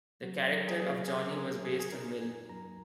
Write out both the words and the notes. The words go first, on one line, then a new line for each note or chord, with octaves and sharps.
The character of Johnny was based on Will.
F#3 F#4
F#3 G#4
A#4
G#4
F#3 G#4
B3 G#4
A#4
B3 G#4
G#2 G#4
F#4
G#4
D#4 A#4
F#2 G#5
F#2 A#5